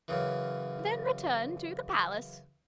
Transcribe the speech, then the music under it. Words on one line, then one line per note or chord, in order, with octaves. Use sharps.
"Then return to the Palace."
F#2 C#3 E3